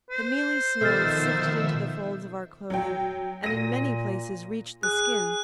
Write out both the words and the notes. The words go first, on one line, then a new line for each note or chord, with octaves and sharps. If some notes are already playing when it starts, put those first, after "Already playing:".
The mealy snow sifted into the folds of our clothing and in many places reached the skin.
C5
B2 D#3 F3 A4 E5 F6 A6
F#3 G5
A#2 A#6 D#7
G#4 F#6